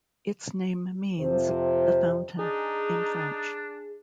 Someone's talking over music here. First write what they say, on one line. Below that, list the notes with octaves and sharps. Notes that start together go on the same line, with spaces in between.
Its name means "The Fountain" in French.
F2 C3 C5
D4 D#4 G#4